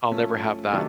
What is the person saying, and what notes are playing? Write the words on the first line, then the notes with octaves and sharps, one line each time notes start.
I'll never have that.
F3 A3 C#4
C3 D#3 F#3 A3 D4